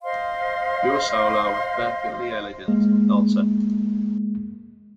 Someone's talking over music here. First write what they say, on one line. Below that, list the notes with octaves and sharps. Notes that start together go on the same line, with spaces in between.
Your solo was perfectly elegant, Elsa.
C5 D#5 F5 C6
G#3 A#3